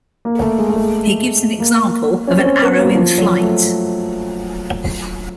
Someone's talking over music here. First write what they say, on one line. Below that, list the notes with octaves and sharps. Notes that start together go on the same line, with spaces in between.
He gives an example of an arrow in flight.
A#3
A3
G#3
A3
G#3
A#3
C#4
C4
C#4
B3
A#3
F3
F#3
A3